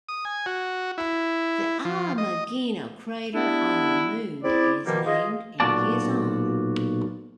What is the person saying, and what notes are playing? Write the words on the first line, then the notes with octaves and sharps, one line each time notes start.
The Ameghino Crater on the Moon is named in his honor.
D#6
G#5
F#4
E4
F3
D#5
G3 B3 D4 E4
C4 E4 G#4 D5
B2 D#3 F3 G3 A#3
F4 G#4 D#5
B1 A#2 F4 F#4 D5 A5